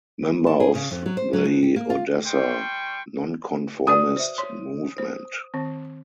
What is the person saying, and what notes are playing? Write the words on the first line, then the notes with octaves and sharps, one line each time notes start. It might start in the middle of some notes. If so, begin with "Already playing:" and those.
Member of the Odessa nonconformist movement.
A5
G#4
C#3
F2
F#3
C5
F#3
D2
G4
A#3
F4
G3 G5 C6 C#6
F#4 B4 D5 D#6
C5 E5
C#5 C6
C5
D#3 C4